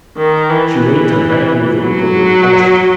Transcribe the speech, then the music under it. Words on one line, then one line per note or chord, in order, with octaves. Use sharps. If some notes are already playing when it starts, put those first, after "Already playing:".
She waved her hand with a look of repulsion.
D#3
E3
F#3